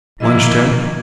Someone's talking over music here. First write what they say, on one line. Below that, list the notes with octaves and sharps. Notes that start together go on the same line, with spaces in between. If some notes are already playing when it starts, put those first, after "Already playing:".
Lunch Temp.
A#2 D#3 F3 A#3 E4 D#5